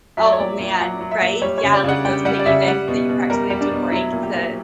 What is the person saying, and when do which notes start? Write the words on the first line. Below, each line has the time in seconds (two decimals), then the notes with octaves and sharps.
Oh, man, right? Yeah, like, those piggy banks that you practically have to break to
0.17 F#3 E5
0.25 D5
0.32 C#5
0.39 A#2 D5
0.59 A#2
0.79 F#3 F#5
1.01 F#3
1.11 E5
1.21 A#2
1.42 G3 C#5
1.58 C#5
1.63 C#3
1.73 D5
1.84 C#3 F#5
2.05 G3 G5
2.25 G3 F#5
2.39 D5
2.46 C#3 E5
2.67 G3 F#5
2.88 B2
3.09 B2
3.30 G3 A#4
3.50 G3
3.61 D4
3.71 B2
3.92 F#3 E4
4.12 A#2
4.23 G4
4.34 A#2